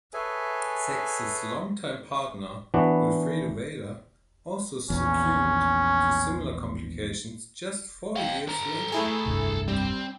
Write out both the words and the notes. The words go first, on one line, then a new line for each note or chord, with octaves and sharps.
Sex's longtime partner, Wilfredo Vela, also succumbed to similar complications just four years later.
G#4 A4 B4 C#5 E5 G#5
E3 B3 D4 F#4
A#1 E2 C#4
F5 G5
A4 A#5
A3 E4 G#4
F1 C2 G2
G3 C4